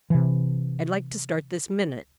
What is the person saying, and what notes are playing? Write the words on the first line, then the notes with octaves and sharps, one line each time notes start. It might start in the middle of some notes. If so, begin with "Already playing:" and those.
I'd like to start this minute.
C3 E3